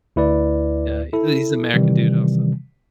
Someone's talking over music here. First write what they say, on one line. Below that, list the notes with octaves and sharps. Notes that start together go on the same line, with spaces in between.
Yeah, he's a he's American dude, also.
D2 E4 B4 D5
E4 A4
C3 D#3 E3 G3